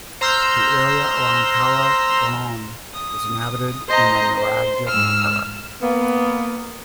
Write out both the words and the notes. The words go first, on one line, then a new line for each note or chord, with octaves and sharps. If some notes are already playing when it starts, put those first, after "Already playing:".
The area around Cala Gonone was inhabited in the Nuragic Era.
C5 A#5 C6 E6 F6 G6
D#6
C5 D#5 A#5
C5
G#2 E6 F6
A#3 B3